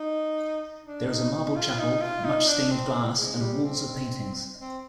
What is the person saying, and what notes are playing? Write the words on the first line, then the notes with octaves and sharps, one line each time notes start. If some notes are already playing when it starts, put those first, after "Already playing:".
There is a marble chapel, much stained glass and walls of paintings.
Already playing: D#4
D4
D#4
D#4
F4
D#4
F4
D#4
D4
C4
G#3
G3
C4
C4